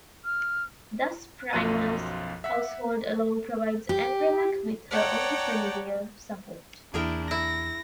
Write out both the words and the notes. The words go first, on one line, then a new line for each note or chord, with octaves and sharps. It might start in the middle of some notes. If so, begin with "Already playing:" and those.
Thus Priam's household alone provides Andromache with her only familial support.
F6
B1 F#2 F3 F4 F#6 D#7
E5 F#5 B6
G4
C#5 D5 F#5 G5 A5 A#5
E2 E3 A#3 D4 E4 G#4 A#4 G5
E4 A#6